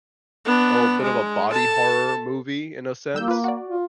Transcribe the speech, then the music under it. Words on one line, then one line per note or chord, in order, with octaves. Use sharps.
a little bit of a body horror movie in a sense.
B3 D4
G#3
A4 A5
G3 A#3 E6 G6
F4 B4
F#4 D5
F4